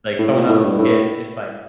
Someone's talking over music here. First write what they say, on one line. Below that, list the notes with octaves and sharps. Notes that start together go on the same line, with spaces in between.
like, someone else's kids just, like,
A2
A#2
A2
G2
A2